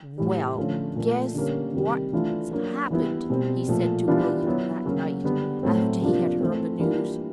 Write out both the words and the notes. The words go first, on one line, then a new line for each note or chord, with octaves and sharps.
"Well, guess what's happened," he said to William that night, after he had heard the news.
A2 E3 G3
D3 F3 A3 C#4 F4
A#2 F3 A3
D3 G3 A#3 C#4
C3 D#3 G3
E3 A3 D4 F4
F#3 A#3 D4
E3 G3 B3 E4
B2 G3 C4
A#2 F3 A3
E3 G3 B3 D4 F4
F#3 B3 E4
C#3 F#3 A#3 C#4
D3 G3 B3
A2 F#3 A3 C4
C3 F3 A#3 D4 F4
E3 A3 C4
E3 G3 A#3 D4 F4